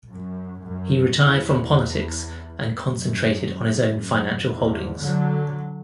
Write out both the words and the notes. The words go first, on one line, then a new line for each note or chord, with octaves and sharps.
He retired from politics and concentrated on his own financial holdings.
F#2
F#2
E2
F#2
F#2
E2 G#2
D3 F#3